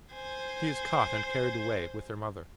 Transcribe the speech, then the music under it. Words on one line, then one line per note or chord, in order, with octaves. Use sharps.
"She is caught and carried away--with her mother."
C5 G#5